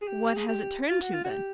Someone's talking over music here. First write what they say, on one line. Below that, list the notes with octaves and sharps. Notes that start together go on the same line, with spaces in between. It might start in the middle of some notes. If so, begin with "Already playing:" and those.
"What has it turned to, then?"
G#4
G4
G#4
G4
F4
F#4
F4
F#4
G4